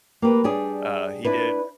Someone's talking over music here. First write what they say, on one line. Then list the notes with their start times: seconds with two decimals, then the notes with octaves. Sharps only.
Uh, he did.
0.22 A#3 G4 B4
0.44 G3 D4 G#4
1.25 D4 E4 B4